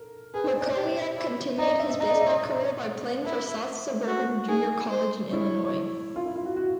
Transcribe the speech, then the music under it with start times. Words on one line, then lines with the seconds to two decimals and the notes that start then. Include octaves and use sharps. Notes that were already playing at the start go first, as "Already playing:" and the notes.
Mackowiak continued his baseball career by playing for South Suburban Junior College in Illinois.
Already playing: A4 A#4
0.34 G#4 B4
0.44 C5
0.56 C#5
0.61 D5
0.66 C#5
0.76 G4
1.18 E4
1.59 D#4 D5
1.69 D#5
1.80 E5
1.90 E5
2.00 D#4 D#5
2.10 D5
2.21 E5
2.31 D#5
3.25 E4 A#4
4.08 F#4
4.49 D#4 G#4
4.91 C5
5.32 E4 C#5
6.16 F4
6.26 E4
6.36 F4
6.46 F#4
6.56 F#4